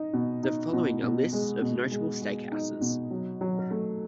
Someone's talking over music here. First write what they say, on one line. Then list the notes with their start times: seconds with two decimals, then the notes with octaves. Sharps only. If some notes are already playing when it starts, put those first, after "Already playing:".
The following are lists of notable steakhouses.
Already playing: D#4
0.13 B2
0.43 D#4
0.73 B2
1.03 B2
1.33 G#3
1.62 B2
1.92 G#3
2.22 G#3
2.52 D#4
2.81 B2
3.11 F#3
3.41 F#3
3.71 A3